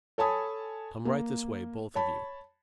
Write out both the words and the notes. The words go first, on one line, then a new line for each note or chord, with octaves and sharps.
Come right this way, both of you.
A4 C#5 G#5 A5 B5 D#6
A#3
C#5 A5 B5